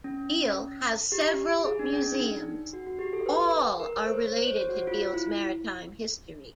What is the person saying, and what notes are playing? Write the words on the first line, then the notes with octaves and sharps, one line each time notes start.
Deal has several museums; all are related to Deal's maritime history.
C#4
G4
G#4
D4
C#4
D#4
D4
F#4
F#4
G4
A4
B4
A#4
C#5
C5
C5
C#5
C5
F#4
F4
E4